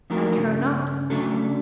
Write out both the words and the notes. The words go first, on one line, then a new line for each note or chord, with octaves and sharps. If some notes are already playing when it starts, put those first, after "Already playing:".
I trow not.
F3 A3 D#4 F#4 A#4
G2 C#3
C#3 F#3 A3 D4 A4